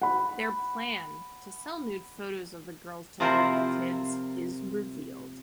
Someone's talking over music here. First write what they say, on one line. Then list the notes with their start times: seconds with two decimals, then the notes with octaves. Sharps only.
Their plan, to sell nude photos of the girls to local kids, is revealed.
0.02 F#5 B5
3.20 C3 F3 E4 F4 A#4 C5